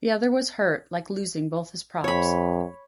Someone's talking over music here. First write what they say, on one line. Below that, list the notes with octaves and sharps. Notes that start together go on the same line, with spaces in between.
The other was hurt, like losing both his props.
F2 C#5 B5